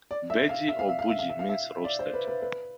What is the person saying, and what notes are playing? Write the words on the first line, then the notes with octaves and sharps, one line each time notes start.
Beji or burji means roasted.
D5
E5
F5
E5
F5
E5
F5
E5
F5
E5
F5
E5
D5
C5
B4
B4
B4